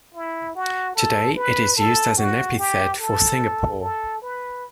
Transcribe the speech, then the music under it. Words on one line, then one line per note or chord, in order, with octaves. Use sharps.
Today, it is used as an epithet for Singapore.
E4
F#4
A4
B4
A4
F#4
G4
A4
A4
B4